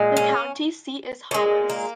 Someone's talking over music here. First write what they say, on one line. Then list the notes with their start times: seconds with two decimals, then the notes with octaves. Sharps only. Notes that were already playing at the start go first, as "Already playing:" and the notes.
The county seat is Hollis.
Already playing: A#2 G#3
0.17 C#4
1.31 A#2 G#3 C#4
1.70 A#3